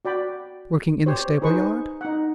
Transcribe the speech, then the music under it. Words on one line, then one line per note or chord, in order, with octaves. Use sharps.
"Working in a stable-yard?"
F#4 D5 G5 B5
G4 C5 C#5
D#4 G#4 B4 C5 C#6
D#4 F#5